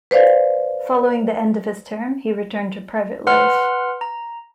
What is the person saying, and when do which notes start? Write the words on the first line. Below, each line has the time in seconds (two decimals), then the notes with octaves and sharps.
Following the end of his term he returned to private life.
0.11 B4 C5 D5 F5
3.27 B4 F#5 C6 F6
4.01 A#5